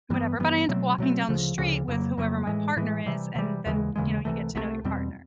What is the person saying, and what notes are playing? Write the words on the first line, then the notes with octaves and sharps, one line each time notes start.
whatever, but I end up walking down the street with whoever my partner is, and then, you know, you get to know your partner,
G2 E3 G3 B3
G2 E3 G3 B3
B2 F#3 A3 C4
B2 F#3 A3 C4
D2 C#3 F3
D2 C#3 F3
F2 C#3 F#3 A#3
F2 C#3 F#3 A#3
A2 E3 G#3
A2 E3 G#3
C3 E3 G3
C3 E3 G3
D#2 C#3 E3 G#3
D#2 C#3 E3 G#3
C2 C3 E3 A3
C2 C3 E3 A3
E2 B2 G3 C4